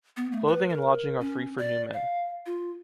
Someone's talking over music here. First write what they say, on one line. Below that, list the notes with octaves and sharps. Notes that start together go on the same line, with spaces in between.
Clothing and lodging are free for new men.
B3
A3
B4
A#4
C#4
D5
F5
F4